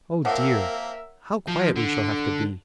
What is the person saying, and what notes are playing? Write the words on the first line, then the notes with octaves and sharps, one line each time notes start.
Oh dear, how quiet we shall have to be!
F3 A#3 C4 A#4 C#5 E5 F#5 D6
F3
D3